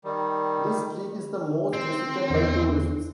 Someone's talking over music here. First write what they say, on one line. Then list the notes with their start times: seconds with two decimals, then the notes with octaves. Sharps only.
This street is the most visited by tourists.
0.04 D#3 G3
1.73 C4
2.30 E2